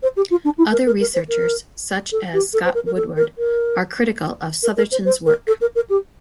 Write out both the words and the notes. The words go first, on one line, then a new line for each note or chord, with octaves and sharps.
Other researchers such as Scott Woodward are critical of Southerton's work.
C5
G4
F4
D4
E4
A#4
A#4
A#4
C5
A#4
A4
G4
A4
C5
A#4
A#4
A4
A#4
A#4
A#4
A#4
C5
C5
A#4
A4
A#4
A#4
G4